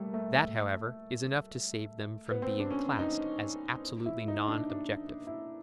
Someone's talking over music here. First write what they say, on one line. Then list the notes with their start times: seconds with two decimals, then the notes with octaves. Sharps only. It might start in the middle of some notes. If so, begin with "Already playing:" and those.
That, however, is enough to save them from being classed as absolutely non-objective.
Already playing: G3 A3 A#3
0.14 A3
2.31 B3
2.42 C4
2.60 D4
2.71 C#4
2.99 D#4
4.06 E4
4.28 D#4
4.48 D4
4.70 D4
5.27 E4